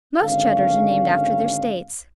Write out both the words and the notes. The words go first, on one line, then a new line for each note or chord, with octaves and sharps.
Most Cheddars are named after their states.
G#1 D3 C#4 F5